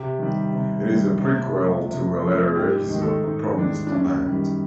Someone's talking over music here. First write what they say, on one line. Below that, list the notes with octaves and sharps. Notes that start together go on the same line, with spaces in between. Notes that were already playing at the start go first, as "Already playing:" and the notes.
It is a prequel to a later episode, Promised Land.
Already playing: C3 G4
D#3 G3
C3
D#3 G3
C3
F3 A3
C3
F3 A3
G#2 G4
D#3 G#3
A4
G#2 D#4
D#3 G#3 D4
D4
F#2 C#4
D#3 G3